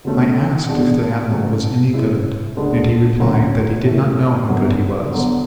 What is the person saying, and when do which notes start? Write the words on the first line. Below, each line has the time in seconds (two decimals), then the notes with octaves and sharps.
I asked if the animal was any good and he replied that he did not know how good he was.
0.04 E2 D3 A3 C#4
0.67 E2 B2 G#3 D4 F#4
1.30 C#3 F#3 A3
1.94 C#3 G#3 C#4 E4
2.57 D2 D3 G#3 D4
3.20 D2 D3 F#3 C#4
3.83 F#2 C#3 E3 A3 C#4
4.46 F#2 D3 F#3 B3 F#4
5.10 E2 D3 F#3